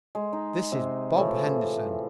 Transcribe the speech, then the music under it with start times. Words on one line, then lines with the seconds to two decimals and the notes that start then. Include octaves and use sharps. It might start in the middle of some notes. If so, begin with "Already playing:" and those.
This is Bob Henderson.
0.15 G#3
0.33 D#4
0.72 C3
1.17 A2 C3 E3 F3